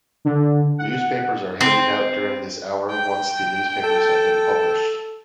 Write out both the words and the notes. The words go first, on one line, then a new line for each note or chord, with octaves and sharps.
Newspapers are handed out during this hour once the newspapers have been published.
D3
F#5
C4
G5
A4